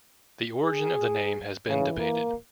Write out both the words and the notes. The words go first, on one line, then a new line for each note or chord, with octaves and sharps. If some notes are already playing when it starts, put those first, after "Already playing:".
The origin of the name has been debated.
G#4
C#3 E3
A#3